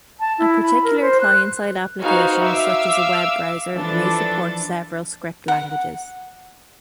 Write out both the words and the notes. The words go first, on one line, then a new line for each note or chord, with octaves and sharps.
A particular client-side application, such as a web browser, may support several script languages.
A5
E4
B5
A#4
C5
F#6
D#4 F#4 B4 C5 F5 G#5
E5 F5 D6 E6
E3 F3 D4 A4 A6
F#5